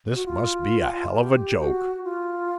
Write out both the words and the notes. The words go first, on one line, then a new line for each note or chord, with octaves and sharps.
"This must be a hell of a joke."
F#4
F4
G4
F#4
F4